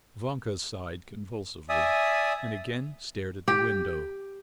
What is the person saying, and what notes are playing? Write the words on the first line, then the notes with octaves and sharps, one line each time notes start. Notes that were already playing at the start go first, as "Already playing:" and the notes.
Vanka sighed convulsively, and again stared at the window.
D5 E5 G#5 D#6
G4